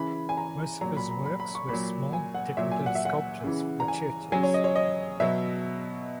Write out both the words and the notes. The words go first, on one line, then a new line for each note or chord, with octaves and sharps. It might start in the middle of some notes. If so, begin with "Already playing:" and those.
Most of his works were small decorative sculptures for churches.
Already playing: C#3 E3 B5
G#5
A#5
A#2 F#3 A#5
B5
B5
B5
B5
C#6
A#2 F#3 B5
G#5
F#5
A#2 F#3 E5
G#5
F#5
E5
F#5
C#3 E3
A#5
G#5
C#3 F#3 G#5
C#5
D#5
C#5
D#5
B2 F#3 E5